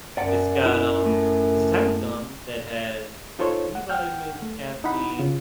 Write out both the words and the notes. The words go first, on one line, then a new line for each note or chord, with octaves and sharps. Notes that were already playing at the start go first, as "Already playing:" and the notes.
It's got, um it's a type of gum that has it's got B vitamins, caffeine,
F#2 D5 F#5
E4
A2
D#4 F4 A4 C5 C#5
F#5
F#5 G5 F6 G6
A3
D#4 E4 F#5 B5
C#3 F4